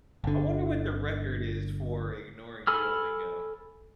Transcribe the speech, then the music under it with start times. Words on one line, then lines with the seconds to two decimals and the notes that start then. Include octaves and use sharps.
I wonder what the record is for ignoring Duolingo.
0.24 G1 D3
2.67 A4 G#5 B5 E6 F6